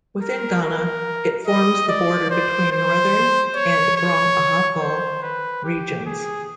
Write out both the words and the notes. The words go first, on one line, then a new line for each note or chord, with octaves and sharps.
Within Ghana, it forms the border between Northern and Brong-Ahafo Regions.
A#4
A#4
D#5
D5
C5
C5
C#5
C#5
C5
B4
G4
G#4